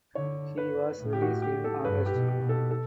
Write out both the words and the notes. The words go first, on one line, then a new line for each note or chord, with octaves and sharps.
He was released in August.
D3 C#5
B4
A2
G4
F#4
G4
A4
G2 B4
G4
B2
G4
B2
A4
A4